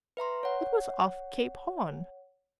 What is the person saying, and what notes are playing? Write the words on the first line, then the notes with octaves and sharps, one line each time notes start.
It was off Cape Horn.
B4 E5 A#5 C6
C#5 F#5